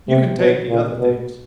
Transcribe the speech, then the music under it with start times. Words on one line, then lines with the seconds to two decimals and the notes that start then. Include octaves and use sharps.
"You can take the other things."
0.08 C3
0.38 B2
0.69 A#2
0.99 B2